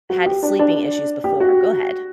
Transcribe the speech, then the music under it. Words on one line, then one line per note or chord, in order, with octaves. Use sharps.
had sleeping issues before. Go ahead.
F#4
G4
D4
D4
G4
F#4